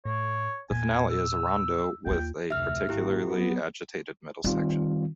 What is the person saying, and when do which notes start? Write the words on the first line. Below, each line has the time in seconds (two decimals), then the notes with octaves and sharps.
The finale is a rondo with a particularly agitated middle section.
0.05 A2 C#5
0.71 E2 A#2 G#5
1.10 E6
2.06 D#2 F4 G5
2.50 F1 D2 E5 F6
2.89 G#1 A#3 E4 G4
3.25 F#3 B3
4.44 D#3 G3 C4 F4